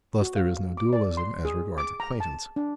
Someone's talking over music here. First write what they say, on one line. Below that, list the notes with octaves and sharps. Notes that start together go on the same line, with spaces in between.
Thus there is no dualism as regards acquaintance.
F#4
F5
D6
D5
C6
G#4
D6
A#5
A5
D4